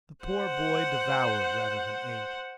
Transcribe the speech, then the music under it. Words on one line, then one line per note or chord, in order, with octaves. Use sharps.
The poor boy devoured rather than ate.
C5 F#5